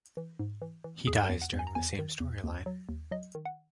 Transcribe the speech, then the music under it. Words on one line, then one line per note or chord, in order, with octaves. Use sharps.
He dies during the same storyline.
E3
G#2
E3
E3
E2 G#4
A#4
E2
F#5
E2
G#5
A#5
E2 G#5
D#3
E2
D#2
F#3
D#2
F#3 D#5
D#3
F#5